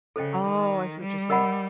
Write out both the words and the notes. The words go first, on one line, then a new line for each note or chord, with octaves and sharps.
Oh, I see what you're saying.
C#3 A4 C5 D#5 G5
D#3
G3
A#4 D#5 F#5 B5